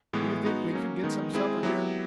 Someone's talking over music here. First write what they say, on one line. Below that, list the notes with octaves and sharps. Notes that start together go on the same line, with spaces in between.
"Do you think we could get some supper here?"
A2 E3 G#3 B3
G#3 B3 D#4 F#4
F#3 A#3 C#4
D#3 G#3 B3 D#4
G#3 C4 E4 G#4
F#3 B3 E4 G4